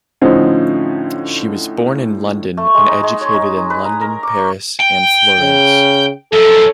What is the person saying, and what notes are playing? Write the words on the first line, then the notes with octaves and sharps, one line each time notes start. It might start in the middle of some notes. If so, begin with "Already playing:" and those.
She was born in London and educated in London, Paris, and Florence.
A2 D3 F3 C4 C#4 D#4
A3
G#3
D#4
G#3
C#5
D#4
D#4
B4
A#5
A#4
D6
C#6
G5
C#3
F#2 F3 A4